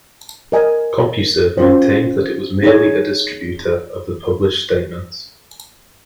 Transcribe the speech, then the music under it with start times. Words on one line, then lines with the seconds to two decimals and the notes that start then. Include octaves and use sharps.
CompuServe maintained that it was merely a distributor of the published statements.
0.52 A#4 D#5 G#5
1.57 C#4 F4 C5
2.63 D#4 G#4 C#5